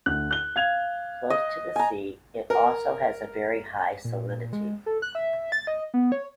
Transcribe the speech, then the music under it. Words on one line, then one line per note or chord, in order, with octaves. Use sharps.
Close to the sea, it also has a very high salinity.
D2 F#6
F#6 G7
F5 G#6 F7
D#5
G#5 A#5
A#4
A#2
G#3
A4
F#6
E5
A6
D#5
B3
C#5